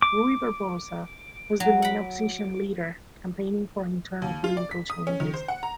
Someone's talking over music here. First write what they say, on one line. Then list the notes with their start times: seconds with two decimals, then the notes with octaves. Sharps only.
Ruy Barbosa was the main opposition leader, campaigning for internal political changes.
0.02 D6
1.60 F#3
1.82 F#5 B5
4.22 D#2
4.44 F4
4.57 D5
4.71 B6
4.90 D#6
5.07 C#4
5.20 D#3
5.34 C5
5.48 F#5
5.63 A#5